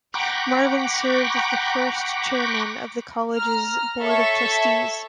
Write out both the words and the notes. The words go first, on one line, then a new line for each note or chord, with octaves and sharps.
Marvin served as the first chairman of the college's Board of Trustees.
F#5 G5 A#5 B5 C#6 D6
A#5 F6
A4 C#5 E5 A5 C#6